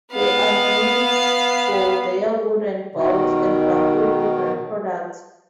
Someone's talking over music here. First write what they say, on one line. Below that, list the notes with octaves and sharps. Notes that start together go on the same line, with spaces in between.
They are known for their wooden bowls and bamboo woven products.
B3 F5
B2 D#3